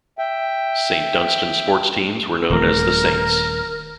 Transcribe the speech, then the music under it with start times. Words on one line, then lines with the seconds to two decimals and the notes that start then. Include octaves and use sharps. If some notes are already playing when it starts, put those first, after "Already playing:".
Saint Dunstan's sports teams were known as the Saints.
0.18 E5 G5
2.50 D#1 D#3 A3 A#4